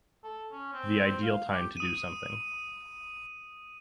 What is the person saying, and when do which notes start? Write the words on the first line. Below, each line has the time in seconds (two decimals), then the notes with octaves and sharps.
The ideal time to do something.
0.24 A4
0.52 C#4
0.73 C4
1.03 C4
1.23 F5
1.50 G4
1.77 D#6 D#7